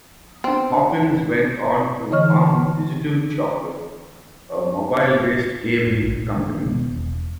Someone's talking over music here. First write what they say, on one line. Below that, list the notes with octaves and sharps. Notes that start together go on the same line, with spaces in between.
Hawkins went on to found Digital Chocolate, a mobile-based gaming company.
B3 C4 D4
D3 E3 C#5 D#5 C#6 F6
G#2
A#1
D#3 A#3 D4
B2 G#3 B3
E1